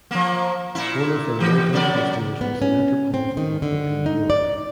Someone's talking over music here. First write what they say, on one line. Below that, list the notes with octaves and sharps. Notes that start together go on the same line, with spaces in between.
One of their regular customers was the Metropolitan Opera in New York.
F3 A#3
A#2 E4
E3 G4
C#3 F#3 D5
B3
C#4
C4
D#3
D3
D#4
D5